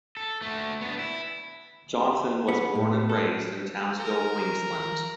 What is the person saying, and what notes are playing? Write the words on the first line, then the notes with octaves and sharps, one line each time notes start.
Johnson was born and raised in Townsville, Queensland.
A4
A3 F#4
B3 D4
E4
B3
A2
A4
A#4 A#5